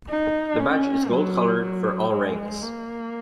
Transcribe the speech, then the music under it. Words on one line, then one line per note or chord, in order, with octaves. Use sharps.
The badge is gold colored for all ranks.
D#4
C#4
F#3
F#3
G#3
A#3